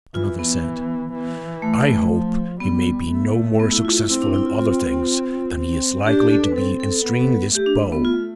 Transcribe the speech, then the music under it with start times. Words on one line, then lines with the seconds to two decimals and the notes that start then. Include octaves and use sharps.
Another said, "I hope he may be no more successful in other things than he is likely to be in stringing this bow."
0.14 E3 F4
0.39 B3
1.13 E3
1.62 A3
2.12 F3
2.60 G3 B3
3.11 A3
3.60 B3
3.72 E4
3.85 F4
3.97 E4
4.09 C4 E4
4.22 D4
4.34 E4
4.46 F4
4.59 F4
5.57 C4
6.06 D4 G4
6.19 G4
6.31 A4
6.43 B4
6.56 C4 A4
6.80 A4
6.92 A4
7.05 B3
7.54 A3 G4
7.66 D4
7.92 B3
8.05 F4